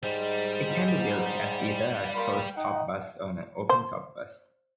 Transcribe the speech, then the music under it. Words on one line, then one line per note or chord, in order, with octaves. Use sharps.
It can be built as either a closed top bus or an open-top bus.
G#2 G3
A#3 F4 B5
D#4 F#5 G5
C5